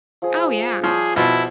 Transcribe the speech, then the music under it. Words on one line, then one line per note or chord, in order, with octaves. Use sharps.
Oh, yeah.
F3 G#4
F3 G#4 C#5 D5
B2 F3 E4